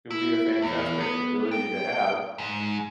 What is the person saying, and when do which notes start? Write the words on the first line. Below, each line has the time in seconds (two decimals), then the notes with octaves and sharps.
It would be a fantastic ability to have.
0.11 E4
0.62 E2
1.00 B3
1.51 G5
2.38 G#2